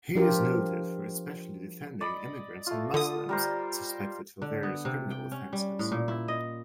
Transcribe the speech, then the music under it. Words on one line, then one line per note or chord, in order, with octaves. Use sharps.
He is noted for especially defending immigrants and Muslims suspected for various criminal offences.
F3 D4 F4 G4 A#4
D5 D#5 B5
A3 F4
D3 D#6
G3 A#4 C5
D3
B3
C3
G5
C#4
G3
A2
A#2
E4
D#5